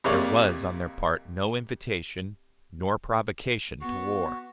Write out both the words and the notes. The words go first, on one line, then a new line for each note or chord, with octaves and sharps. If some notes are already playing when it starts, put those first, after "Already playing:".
There was on their part no invitation nor provocation to war.
F2 C3 A#3 C#5 D5
B3 F#4